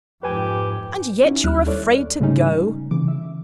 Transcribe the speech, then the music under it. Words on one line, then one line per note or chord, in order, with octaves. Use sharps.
'And yet you're afraid to go!
F2 G#2 G4 B4 G#5
C#4 D#4 E4 F#4
D#2 G3 F6 F#6
E4 A4 C#5 D5 E5
G#2 C#3 G3 A3 C#4 D#4
C#3 E3 D6
E5